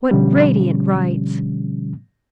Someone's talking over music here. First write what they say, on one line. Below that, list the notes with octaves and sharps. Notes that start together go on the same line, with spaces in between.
'What radiant rites!
B2 D3 F3 G3 C#4